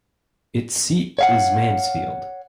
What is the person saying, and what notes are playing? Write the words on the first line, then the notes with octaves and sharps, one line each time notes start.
Its seat is Mansfield.
C#5 F5 F#5